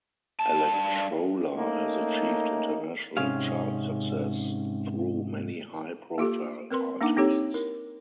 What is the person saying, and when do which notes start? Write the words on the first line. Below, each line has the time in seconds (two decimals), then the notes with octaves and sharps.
Electrola has achieved international chart success through many high-profile artists.
0.39 G2 A5
1.56 A3 A#3 C#4 D#4
3.17 G#2 C3 C#4 G#4 F5
6.18 A#3 F4 G4 A4
6.71 C4 A#4 B4 C6
7.01 A#3 D4 D#4 F#5 D6
7.17 C4 D#4 G4 A4 C#5
7.54 E4 A#4